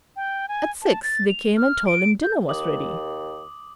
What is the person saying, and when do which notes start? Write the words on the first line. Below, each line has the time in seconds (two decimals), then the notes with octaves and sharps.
At six, they came and told him dinner was ready.
0.16 G5
0.48 G#5
0.82 A5
1.03 A6
1.28 F7
1.57 F6
1.87 D7
2.23 G6
2.49 D#2 D6 D#6 F#7